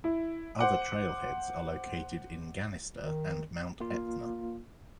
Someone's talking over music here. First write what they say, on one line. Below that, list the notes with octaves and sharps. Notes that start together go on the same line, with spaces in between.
Other trailheads are located in Ganister and Mount Etna.
E4
C5 F#5 D6
D#3
A#3 F4